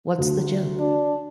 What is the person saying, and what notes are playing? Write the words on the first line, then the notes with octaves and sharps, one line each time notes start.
What's the joke?
D2
D4